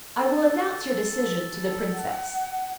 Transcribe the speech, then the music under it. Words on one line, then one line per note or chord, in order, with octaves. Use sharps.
I will announce your decision to the Princess.
A4
F#5